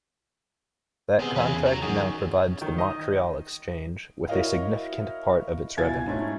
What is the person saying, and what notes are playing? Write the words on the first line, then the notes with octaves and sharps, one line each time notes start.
That contract now provides the Montreal Exchange with a significant part of its revenue.
C3 B3 G#4 C5
E2 C#4 G#4 B4
C#3 F#4 A#5
F#2 D#3 F#4 G#4
C#4
D#3
D#5
E4 F#4 A#4 C#5 D#5 F5
B2 E4 F4 G#5 G#6 A6
G#2 A3 C#4